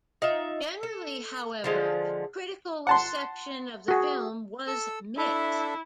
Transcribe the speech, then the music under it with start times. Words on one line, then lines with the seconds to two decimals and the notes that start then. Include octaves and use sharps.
Generally, however, critical reception of the film was mixed.
0.22 D#4 F4 E5
0.83 A4
1.64 D3 F3 G#3
2.87 F#5 A5 C6
3.88 F#4 G#4
4.67 A4 E6
5.17 D4 E4 A4 E5